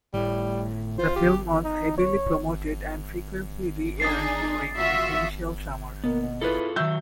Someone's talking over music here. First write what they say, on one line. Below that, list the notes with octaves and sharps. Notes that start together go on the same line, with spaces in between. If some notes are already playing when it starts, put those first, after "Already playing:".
The film was heavily promoted and frequently re-aired during its initial summer.
A2 G3
F4 C5
G4
D#4
C#5
D4 D#4 G#4 D#6 A6 C7
F4 F#4 E5
B2 A#3 B3
B2
E4 F4 G#4 A4 B4
D#3 F#3 E5 E6 G6